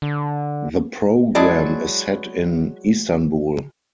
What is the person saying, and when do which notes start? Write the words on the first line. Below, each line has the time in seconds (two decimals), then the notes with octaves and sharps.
The program is set in Istanbul.
0.02 D3
1.35 F#3 G#3 E4 G#4 D5 A5